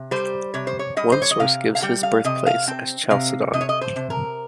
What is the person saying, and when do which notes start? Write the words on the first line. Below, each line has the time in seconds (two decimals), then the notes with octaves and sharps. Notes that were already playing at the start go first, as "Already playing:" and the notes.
One source gives his birthplace as Chalcedon.
Already playing: C3
0.11 G3 C5
0.54 C3 C#5
0.67 C5
0.79 C#5
0.97 G3 D#5
1.12 C5
1.22 C#5
1.31 D#5
1.40 C3 F5
1.75 F5
1.82 G3 G5
2.03 F5
2.24 C3 D#5
2.46 F5
2.68 C4 G5
3.11 C3 F5
3.53 C3 D#5
3.61 C#5
3.69 D#5
3.81 C5
3.96 C3
4.10 A#4